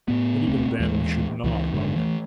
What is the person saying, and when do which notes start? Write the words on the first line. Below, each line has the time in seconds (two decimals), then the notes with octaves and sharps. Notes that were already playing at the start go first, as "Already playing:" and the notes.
But even then we should not love them.
0.08 A2 B3
0.47 D#1 C#2 A3 C4
0.80 D#2 E3 G#3
1.44 C#2 E3
1.73 F#1 G#2 D3
1.96 E3 A3